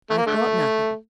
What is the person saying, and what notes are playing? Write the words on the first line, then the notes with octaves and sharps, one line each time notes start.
'I've brought nothing.
A3
A#3
D3 A3